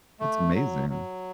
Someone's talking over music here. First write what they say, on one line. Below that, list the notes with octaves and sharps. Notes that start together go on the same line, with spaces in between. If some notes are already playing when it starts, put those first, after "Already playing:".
That's amazing.
A3
F#3
F#3